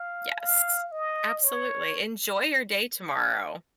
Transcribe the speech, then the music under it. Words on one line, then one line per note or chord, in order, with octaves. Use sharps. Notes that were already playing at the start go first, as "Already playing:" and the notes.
Yes. Absolutely, enjoy your day tomorrow.
Already playing: F5
F5
D#5
C#5